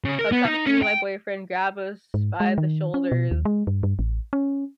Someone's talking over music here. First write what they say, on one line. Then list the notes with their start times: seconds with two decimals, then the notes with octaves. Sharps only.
he'll come to me and my boyfriend, grab us by the shoulders,
0.05 C#3
0.19 A#4
0.32 B3
0.45 D#4
0.66 C#4
0.82 G5
2.14 G#2
2.40 G#3
2.58 D#3
2.94 C#4
3.12 B2
3.31 D#2
3.45 G#3
3.67 G2
3.83 G2
3.99 A1
4.33 C#4